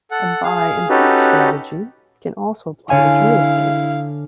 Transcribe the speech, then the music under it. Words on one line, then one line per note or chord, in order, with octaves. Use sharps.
A buy and hold strategy can also apply to real estate.
A4 F#5
G#4 F5
C#4 D#4 F#4 G4 A4 B4
D3 E4 C#5 F5 G#5